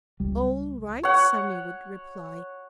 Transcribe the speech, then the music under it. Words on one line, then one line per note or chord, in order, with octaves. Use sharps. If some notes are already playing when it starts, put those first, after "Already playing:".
"All right," Sammy would reply.
C#2 G3
C#5 F#5